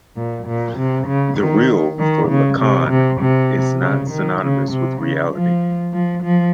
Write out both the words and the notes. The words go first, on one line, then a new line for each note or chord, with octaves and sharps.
The Real, for Lacan, is not synonymous with reality.
A#2
A#2
C3
C#3
D#3
D#3
C#3
C3
C3
C3
C#3
D#3
C#3
C3
C#3
F3
F3
F3